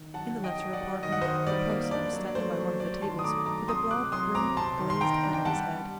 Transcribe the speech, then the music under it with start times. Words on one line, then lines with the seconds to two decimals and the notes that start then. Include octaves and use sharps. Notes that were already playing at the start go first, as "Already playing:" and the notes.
In the latter apartment a person was standing by one of the tables with a broad-brimmed glazed hat on his head.
Already playing: D#3
0.14 F#3 F#5 A5
0.37 F#3
0.44 D#5 G5
0.58 F#3
0.73 D5 F#5
0.81 F#3
1.03 D#3 D#5
1.12 F#5
1.22 D#3 C5 D#5
1.47 G3 D5
1.69 A#3
1.91 D4 D5
2.13 F#3
2.35 A3 C5
2.57 F#3
2.80 A3 D5
3.02 D#3 A5 C6
3.19 D#6
3.24 A3 A#5 D6
3.46 F#3 A#5 D6
3.68 C3 C6 D#6
3.90 C3 D6 F#6
4.12 F#3 C6 D#6
4.35 C4 A#5 D6
4.57 C3 A5 C6
4.79 D#3
4.90 C6
5.01 D#3 G5 A#5
5.23 D4
5.34 G5
5.45 G3 F#5 A5
5.68 G3